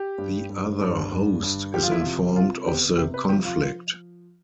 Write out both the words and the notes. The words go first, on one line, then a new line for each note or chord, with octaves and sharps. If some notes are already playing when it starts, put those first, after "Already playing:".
The other host is informed of the conflict.
Already playing: G4
G2
G2
G2
G2
G2
F3 G4
F4
E4
C3 F4
C3 F4
B3 G4
C3 G4
B4
F3 G4
F4
F3